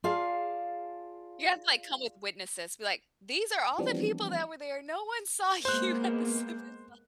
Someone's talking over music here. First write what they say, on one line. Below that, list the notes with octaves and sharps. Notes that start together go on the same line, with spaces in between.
You have to, like, come with witnesses, be like, "These are all the people that were there, no one saw you at the slip and slide."
F4 G#4 D5 F5 A5
E3 F3 G3 B3 C4 D4
G#3 A#3 B3 C5 F#6